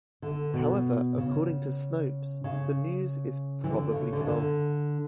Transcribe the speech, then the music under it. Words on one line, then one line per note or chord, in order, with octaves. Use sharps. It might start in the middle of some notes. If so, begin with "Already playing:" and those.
However, according to Snopes, the news is "probably false".
D3
B2
C#3
C#3
E3
D3
C#3
D3
C#3
D3